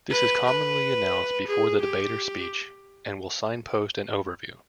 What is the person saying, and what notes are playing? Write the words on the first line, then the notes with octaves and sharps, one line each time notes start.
This is commonly announced before the debater's speech and will signpost an overview.
B4
B4
G#4
G4